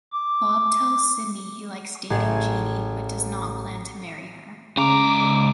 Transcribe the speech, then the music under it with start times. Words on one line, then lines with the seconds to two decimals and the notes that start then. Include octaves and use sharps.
Bob tells Sidney he likes dating Jeanie, but does not plan to marry her.
0.12 D6
2.10 A1 G#4
4.77 C#2 C#3 A#5 D6